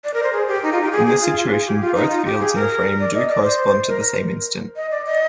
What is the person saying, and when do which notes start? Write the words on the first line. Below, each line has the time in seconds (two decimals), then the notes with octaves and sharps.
In this situation both fields in a frame do correspond to the same instant.
0.04 D5
0.14 A#4
0.23 C5
0.33 G#4
0.48 G4
0.63 D#4
0.72 F4
0.83 G4
0.92 G#4
1.06 G#4
1.22 F4
1.37 F4
1.51 G#4
1.66 G4
1.81 F4
1.95 D#4
2.10 F4
2.25 G4
2.40 G#4
2.55 A#4
3.00 D5
3.14 D#5
3.28 D5
3.43 C5
3.88 A#4
4.76 D#5
4.91 D5
5.06 D#5